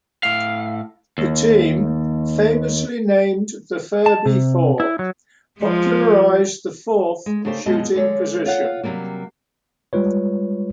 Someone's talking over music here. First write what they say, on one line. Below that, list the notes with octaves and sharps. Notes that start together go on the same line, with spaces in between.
The team, famously named The Ferbey Four, popularized the "fourth" shooting position.
A2 F5
D#2
A5
C3
E4
F#3
F3 G#3
G#3
C#3 A3 D4 G4 A#4 C5
F#2 B2 G#3 D#5 A5
D3 G#3 C#5 D5
F4 C#5 F5 F#5
C3 D#3 F#3 G3 A#3
G3 G#3 F4 B4 C#5